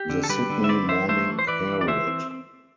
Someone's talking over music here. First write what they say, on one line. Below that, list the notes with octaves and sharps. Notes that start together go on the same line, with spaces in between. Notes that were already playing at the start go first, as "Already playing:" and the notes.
The Sydney Morning Herald.
Already playing: G4
D3
A4
G3 G4 B4
D3
E5
C4 B4 D5
E3 C5 E5
A3 C5 E5
E3
C5
E3 B4 D5
E3
D5
E3 C5 E5
C4